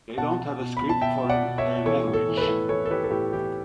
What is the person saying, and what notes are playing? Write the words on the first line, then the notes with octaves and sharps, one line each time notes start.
They don't have a script for their language.
B2 F#5 A5
B2
B2
B2 B5
A5
B2 E5 G5
B2
D5 F#5
B2
C#5 E5
B2
E3 A4 C#5
A2
A4
E3
B4
A4
A2
E3 A4 C#5
A4
E3 G4 B4
A4
A2 G4
E3 G4